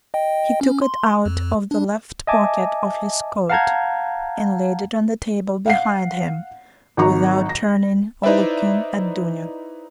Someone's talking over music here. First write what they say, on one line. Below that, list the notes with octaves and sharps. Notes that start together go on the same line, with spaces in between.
He took it out of the left pocket of his coat and laid it on the table behind him, without turning or looking at Dounia.
D#5 G5
C#4
C6
F2
D4
D#5 E5 G#5 A5 D6
F5 F#5 A5 A#5 G6 G#6
F5 F#5 C7
G#1 D#3 F#3 F#4 A#5 C#6
A#6
D#4 E4 B4 C5 D5 E5